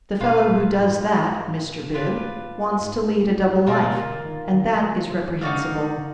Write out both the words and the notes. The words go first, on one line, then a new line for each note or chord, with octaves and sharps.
The fellow who does that, Mr. Bib, wants to lead a double life, and that is reprehensible.
B2 F4 B4 F5
A#2
A#2
G#2
D4 F4 B4
G#2
B2 A#3 F4 A#4 D5
D3
D#3
D#3
F#3
F3
F#3
G#3 D#4 F#4 D5 F5
D#3
D3